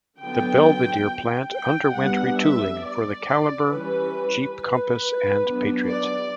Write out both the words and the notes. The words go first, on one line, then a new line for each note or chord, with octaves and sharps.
The Belvidere plant underwent retooling for the Caliber, Jeep Compass, and Patriot.
D3 F#3 B3 G5
G5
G3 B3 D4 F#5
E5
D5
E3 G3 C#4 B4
B4
F#3 B3 D4
D5